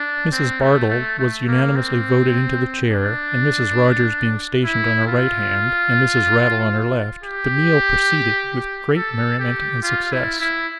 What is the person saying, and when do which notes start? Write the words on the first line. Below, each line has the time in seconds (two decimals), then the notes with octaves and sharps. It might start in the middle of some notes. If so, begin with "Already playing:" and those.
Mrs. Bardell was unanimously voted into the chair, and Mrs. Rogers being stationed on her right hand, and Mrs. Raddle on her left, the meal proceeded with great merriment and success.
Already playing: D4
0.32 C4
0.61 A3
0.90 A3
1.19 A3
1.48 A#3
1.76 C4
2.91 D4
4.65 E4
5.07 F4
7.24 G4
8.97 A4
9.40 G4
9.83 F4
10.12 E4
10.41 E4